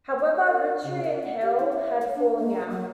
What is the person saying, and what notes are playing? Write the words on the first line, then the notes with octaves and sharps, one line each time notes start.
However, Ritchey and Hale had a falling out.
C#5
A#4
C#3
A#4
F#5
G4
E4
E5
C#5
D4
A#3
F#3